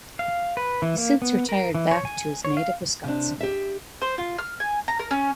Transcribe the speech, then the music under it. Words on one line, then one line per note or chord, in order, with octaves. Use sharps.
He since retired back to his native Wisconsin.
F5
B4
E3
A#3
B3
A#4
E3
C#5
G#5
C#5
F5
C3 D4
G4 E5
C5
F4
F6
G#5
A#5
A#4
C#4